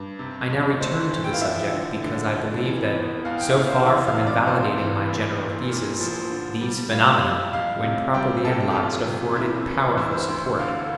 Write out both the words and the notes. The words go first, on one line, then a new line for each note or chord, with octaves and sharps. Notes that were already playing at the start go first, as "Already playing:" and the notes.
I now return to the subject, because I believe that, so far from invalidating my general thesis, these phenomena, when properly analyzed, afford it powerful support.
Already playing: G2
C3
F2
A3 C5
E3
G5
F5
F3 E5
D3
D3
F2
E3
E2
E2 F5
G5
E5
E2 F5
C5
E3 E5
F5
C3
D5
F1 C5
E3
A#1
A#2
A#2
F3
D3
G3
G3 F5
G3
F2 F5
C3
G3 G5
C3 A4
G4
E1 F4
C3
C3 E4
E3
D2 E4
C5
D2
D3 F5